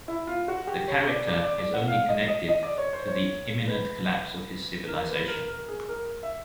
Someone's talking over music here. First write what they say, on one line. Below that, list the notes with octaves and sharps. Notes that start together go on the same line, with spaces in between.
The character is only connected to the imminent collapse of his civilization.
E4
F4
F#4
G4
C#5
D5
D5
D5
D5
F#5
F5
D#5
D#5
D#5
D5
C#5
C5
C#5
B4
A#4
B4
A#4
A#4
G#4
A#4
E5